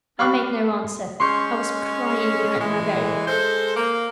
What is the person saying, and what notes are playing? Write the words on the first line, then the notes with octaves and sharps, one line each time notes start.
I made no answer--I was crying behind my veil.
F5 B5 C#6 D6 F6 F#6
G#3 C#4 C6 C#6 G6
E3 G#3
G#3 A4 C5
A#3